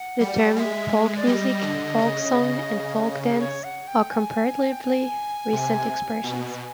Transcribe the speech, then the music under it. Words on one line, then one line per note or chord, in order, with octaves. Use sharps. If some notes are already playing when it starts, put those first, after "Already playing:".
The terms "folk music", "folk song", and "folk dance" are comparatively recent expressions.
Already playing: F#5
G3
G#3 E5 F#5
D5
G3 D#5
D3
C#3
C#5
F#5
G5
G#5
G5
G#5
C3
B2